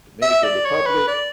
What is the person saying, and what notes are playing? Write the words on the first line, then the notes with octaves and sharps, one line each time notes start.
Dominican Republic,
E5
D5
C#5
B4
D5